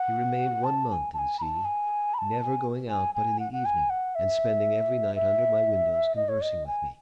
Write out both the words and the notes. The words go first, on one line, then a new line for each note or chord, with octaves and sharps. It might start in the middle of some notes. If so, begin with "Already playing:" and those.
He remained one month in C----, never going out but in the evening, and spending every night under my windows conversing with me.
Already playing: F#5
A5
A5
G#5
A5
G#5
B5
A5
G#5
B5
A5
A5
G#5
G#5
G#5
F#5
F#5
G#5
F#5
E5
E5
D#5
C#5
D#5
G#5